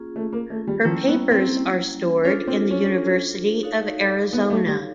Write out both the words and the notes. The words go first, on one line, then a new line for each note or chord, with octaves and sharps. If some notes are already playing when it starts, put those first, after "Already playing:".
Her papers are stored in the University of Arizona.
Already playing: A#3 C#4 F4 G#4
A3
A#3
A3
G3
F3 G3 A#3 C#4 E4
B3
C4
C#4 D4 F4 A4 C5
C4
C#4
D#4 F#4 A4 C#5 F5
B3
A3
G3